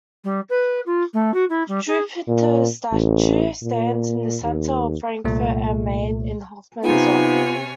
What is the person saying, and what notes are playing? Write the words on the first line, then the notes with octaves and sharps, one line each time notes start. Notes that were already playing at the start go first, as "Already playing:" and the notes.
Struwwelpeter's statue stands in the center of Frankfurt am Main, in Hoffman's honour.
G3
B4
F4
A3
F#4
E4
G3
G#4
A#2
A1
A#2
D#2
C2 A#2 A3
C3 B3 D#4 F4 C#5 G#5